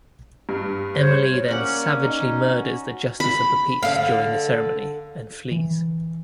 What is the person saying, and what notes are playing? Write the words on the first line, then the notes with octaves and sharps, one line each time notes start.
Emily then savagely murders the justice of the peace during the ceremony, and flees.
G2
C5 C#5
A#3 C#4 D5 F#5
D#4
F#4
B5
D3 F5
E3